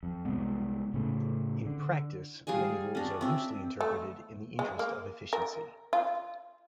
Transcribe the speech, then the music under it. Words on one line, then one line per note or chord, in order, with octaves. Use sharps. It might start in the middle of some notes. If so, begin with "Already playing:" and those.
In practice, many rules are loosely interpreted in the interest of efficiency.
F2
C2 C3 G#3 B3
A2 C#3
D3
G3 G#4 F5 G#5
C#4 D4
C4 E5
A3
G#3
A#3
A#4
F4